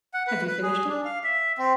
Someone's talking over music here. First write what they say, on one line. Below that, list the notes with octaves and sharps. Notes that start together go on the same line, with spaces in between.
Have you finished it?
F#5
B4
B4
G#4
D4
F5
E5
C4